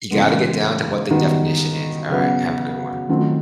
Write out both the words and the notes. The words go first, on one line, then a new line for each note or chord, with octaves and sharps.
You gotta get down to what the definition is, aright, have a good one.
C#3 E3 G#3 B3
D#3 G3 B3 D#4 F#4
C#3 F#3 B3
D#3 F#3 A3 C4 F4